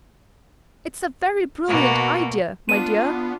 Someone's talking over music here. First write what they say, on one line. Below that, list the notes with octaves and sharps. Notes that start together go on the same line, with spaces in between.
It's a very brilliant idea, my dear!
B2 A#3 F#4
B3 D4 F4 D#7